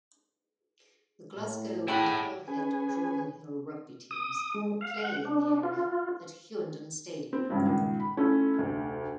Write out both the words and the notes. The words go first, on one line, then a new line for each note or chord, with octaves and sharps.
The Glasgow and Hillhead-Jordanhill rugby teams play in the area at "Hughenden Stadium".
A2
E4 G4 G#4 C#5 F#5 G5 A5 B5
C#4 G#4 B4 G#5
D#6
G#3
F5
F#5
D4
F4
C4
G#1 C#2 G2 F3 C#4
C#2 A#2 D#3
B5
A3 C#4 E4 F4 A4
F1 D2